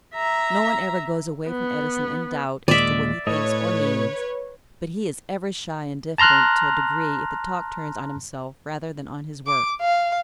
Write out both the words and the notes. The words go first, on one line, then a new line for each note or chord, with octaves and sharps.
No one ever goes away from Edison in doubt as to what he thinks or means, but he is ever shy and diffident to a degree if the talk turns on himself rather than on his work.
E5 A#5
B3
D#2 A#2 G#3 D5 E5
A2 A4 B4 C#5 D#5
A5 A#5 C6 F6 F#6
D6
F5